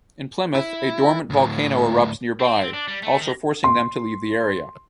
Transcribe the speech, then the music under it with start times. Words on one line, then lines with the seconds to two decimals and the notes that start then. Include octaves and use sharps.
In Plymouth, a dormant volcano erupts nearby, also forcing them to leave the area.
0.55 E4
1.30 D2 A2
2.40 C4
2.61 C4
2.73 D4
2.88 G3
3.03 A3
3.19 D#3
3.64 C6